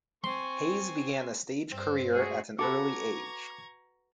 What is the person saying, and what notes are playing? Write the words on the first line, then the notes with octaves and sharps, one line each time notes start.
Hayes began a stage career at an early age.
C4 G#5 C6 C#6
G2 C4
A3 F#4 G#4
F#4 A4 B4 A#5 C#6 D6 G#6